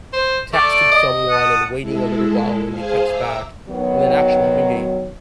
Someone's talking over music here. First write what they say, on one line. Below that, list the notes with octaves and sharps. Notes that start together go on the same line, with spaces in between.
texting someone and waiting a little while when they text back, and then actually having a
C5
A3 D5
D#5
F#5 A5 D#6
G#3 E4 A4
G#4 C5 F5 G#5 A5
E5 A#5 D6 E6
D#3 F#3 B3